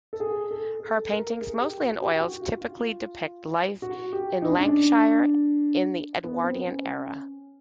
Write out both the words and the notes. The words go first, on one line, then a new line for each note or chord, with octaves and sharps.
Her paintings, mostly in oils, typically depict life in Lancashire in the Edwardian era.
A4
G#4
A4
A4
A#4
G#4
G4
F#4
G4
F#4
F4
F4
F#4
G4
D#4
D4
C#4
D4
B3
C4
C#4